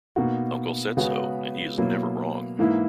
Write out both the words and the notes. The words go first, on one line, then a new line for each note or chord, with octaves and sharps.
Uncle said so, and he is never wrong.
B2 A#3 D#4 F#4
C#3 G#3 B3 F#4
B2 F#3 A#3 E4
G#2 E3 A#3 E4